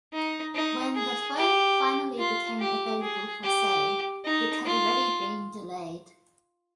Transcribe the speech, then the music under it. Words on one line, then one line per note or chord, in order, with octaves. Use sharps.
When the phone finally became available for sale, it had already been delayed.
D#4
D#4
G#4
G4
F4
G4
G#4
G4
D#4
F4